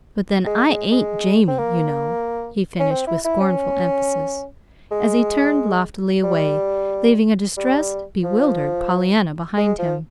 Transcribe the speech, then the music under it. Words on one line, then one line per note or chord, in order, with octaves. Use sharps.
"But, then, I ain't 'JAMIE,' you know," he finished with scornful emphasis, as he turned loftily away, leaving a distressed, bewildered Pollyanna behind him.
G#3
G#3
G#3
C4
A#3
C#4
C4
E4
E4
C#4
G#3
G3
G3
F3
G#3
F3